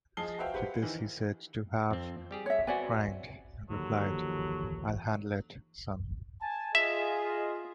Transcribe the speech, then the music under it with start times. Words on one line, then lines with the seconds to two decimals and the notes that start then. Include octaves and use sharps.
To this, he is said to have grinned and replied, I'll handle it, son.
0.17 F3 G#4 D#5 A5 C7 G7
0.38 F#4 B4 C5 E5 F5 G5
0.54 G4 B4 C5 F#5
0.82 D#3 E3
1.91 F2 C4
2.31 G3 G4 G#4
2.46 C#5 E5
2.67 B3 C4 F#4 D5 G#5
3.70 D#2 D3 F#3
4.10 G1 E3 F3
6.42 G#5 A5
6.75 F4 G#4 D#5 E5